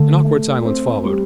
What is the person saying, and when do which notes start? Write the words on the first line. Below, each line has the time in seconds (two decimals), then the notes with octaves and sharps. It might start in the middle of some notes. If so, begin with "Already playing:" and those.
An awkward silence followed.
Already playing: D3 A3 A4
0.25 A3
0.65 C4
1.06 G3